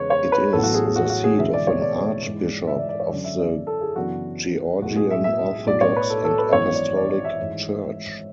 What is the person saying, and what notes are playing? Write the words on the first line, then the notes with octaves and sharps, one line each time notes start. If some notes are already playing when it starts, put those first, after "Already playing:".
It is the seat of an archbishop of the Georgian Orthodox and Apostolic Church.
Already playing: E2 C#3 G#3 B4 C#5
C#5
B4
A1 A2 F#3 B3 A4
F#4
G#4
G#4
F#4
F#4
G#4
E1 E2 D3 G#3 E5
D5
C#5
D5
G#2 E3 G#3
E5
D5
D5
C#5
F#2 D3 F#3 C#4 D5
E5
D5
A4
G#4
F#2 C#3 E3 B3 D4 F#4
B1 A2 G#3 F#4
G#4
E5
E5
B1 A2 F#3 D5
C#5
B4
A4
A4
B4
G#1 F#2 E3 B3 C#5
D5
D5
D5
E5
G#1 G#2 E3 A3